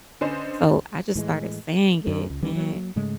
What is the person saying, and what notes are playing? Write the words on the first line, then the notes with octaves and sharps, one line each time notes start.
So I just started saying it, and
D3 C#4 B4 C5 D#5
A2 E3 G#3
F#2
C#2
D2 E3 G3 C#4
F#3 A#3
G#2 C#3 G#3 A3